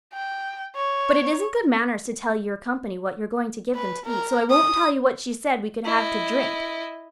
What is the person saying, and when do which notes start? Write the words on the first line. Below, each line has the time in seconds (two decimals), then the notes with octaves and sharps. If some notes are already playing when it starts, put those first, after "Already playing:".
But it isn't good manners to tell your company what you are going to give them to eat, so I won't tell you what she said we could have to drink.
0.14 G5
0.76 C#5
3.75 B4
4.06 A#4
4.50 D#6
5.85 E4 D#5